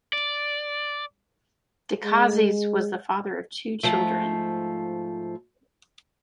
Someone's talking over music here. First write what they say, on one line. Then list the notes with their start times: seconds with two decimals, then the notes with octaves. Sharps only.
Decazes was the father of two children.
0.13 D5
2.04 G#3
3.83 G#2 F3 A3